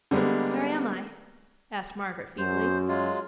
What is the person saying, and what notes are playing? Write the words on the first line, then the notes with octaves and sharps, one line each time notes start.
"Where am I?" asked Margaret feebly.
D3 G3 G#3 A#3 B3
F#2 C5
F#3 G#3 F4